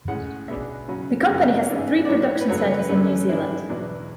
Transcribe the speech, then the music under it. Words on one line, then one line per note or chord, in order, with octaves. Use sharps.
The company has three production centres in New Zealand.
A2 G#3 C#4 F#5
B2 G#3 B3 D4 E5
C#3 F#3 C#4
F#2 C#3 F#3 C#4
C#5
G#2 E3 G#3 C#4 D5
D5
A2 F#3 B3 D4 C#5
B4
F#2 C#3 F#3 A3 D4 C#5
B4
C#5
B4
F#2 D3 A3 C#4
G#2 G#3 D4 E4
E2 B2 F#3 B3 D4